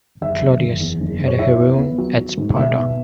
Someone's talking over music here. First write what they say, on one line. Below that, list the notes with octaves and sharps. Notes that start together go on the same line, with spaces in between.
Cleodaeus had a heroon at Sparta.
F#1 E5
F#1
F#1
E2
F#1
F#1
C#5
E4 E5
B3
B3
F#3
F#3
G#2
B2 E5
B3